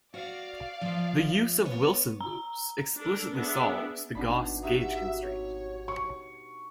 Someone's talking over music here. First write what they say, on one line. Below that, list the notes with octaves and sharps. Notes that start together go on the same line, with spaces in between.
The use of Wilson loops explicitly solves the Gauss gauge constraint.
F#4 D5 F5
F3 F4 E5
B3 C#5
A#5
D4 A4 A#4
B3 D4 G#4 E5
G#1 B2 D4 B5
D#4 F#4 G4 E5
C#5
C#6